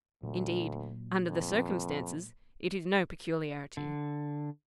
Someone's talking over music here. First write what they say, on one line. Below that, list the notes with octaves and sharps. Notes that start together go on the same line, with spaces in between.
Indeed, under the circumstances, it is no peculiarity.
D2 A#2 F#3 A#3
F2
D3